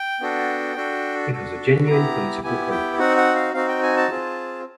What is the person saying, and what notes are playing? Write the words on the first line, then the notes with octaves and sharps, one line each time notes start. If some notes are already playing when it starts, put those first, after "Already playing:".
It was a genuine political conflict.
Already playing: G5
B3 D4 F#4 A4
D4 F#4 A4
D4 F#4 A4
B3 E4 G4 A#5
B3 E4 G4 G#5
G5
C4 D#4 F#4 F#5
F#5
F5
C4 D#4 F#4 F5
G5
G#5
A5
C4 F4 G#4